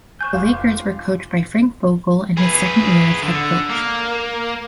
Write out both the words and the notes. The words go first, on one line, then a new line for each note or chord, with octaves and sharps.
The Lakers were coached by Frank Vogel in his second year as head coach.
C5 G#5 C#6 F#6 G6
F1 F4 F5 C6 D6
G#4 B4
D3
A#3